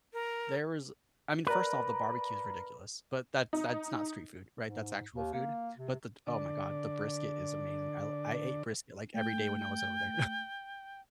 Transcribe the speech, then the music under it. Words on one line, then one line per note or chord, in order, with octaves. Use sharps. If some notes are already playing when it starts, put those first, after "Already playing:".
there was I mean, first off, the barbecue is ridiculous, but that's that's not street food, right? That's actual food, but the Oh my god, the brisket is amazing. I l I ate brisket, like, every day when I was over there.
A#4
A#4 B4 D5 A#5
D#4
G#2
D#2
A#3
C3
D3 D5
A3 G5